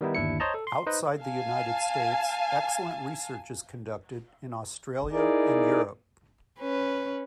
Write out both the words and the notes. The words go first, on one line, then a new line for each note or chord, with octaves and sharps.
Outside the United States, excellent research is conducted in Australia and Europe.
D#3 G3 B3 D#4 E4
G1 D#2 D4 E4 C#7
C5 C#5 D#5 A5 A#5
A4
C6
D#4 B4 C5 D#5
F5 G#5 A5
D#4 E4 G#4 A#4 D5
C#4 B4